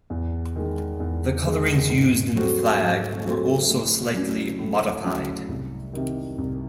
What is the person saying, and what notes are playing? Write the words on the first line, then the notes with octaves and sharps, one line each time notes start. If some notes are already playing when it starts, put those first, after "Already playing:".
The colourings used in the flag were also slightly modified.
E2
D#3 G#3
E2
D#3 G#3
G#2
F#3 C4 F#4 A4
G#2
F#3 C4 F#4 A4
A2
F#3 C#4
A2
F#3 C#4
C2
C3 D#3
C2